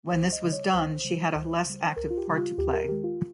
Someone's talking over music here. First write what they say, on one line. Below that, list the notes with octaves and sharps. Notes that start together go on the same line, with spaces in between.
When this was done she had a less active part to play.
C#2 C5
D#5
C#3 G3
C#5
C#2 C5
C#3 G3
C#2
C#3 G3
C#2 A#4
F4
G4
C#3 G3
F4
D#2 G4
A#4
D#3 G#3 G4
F4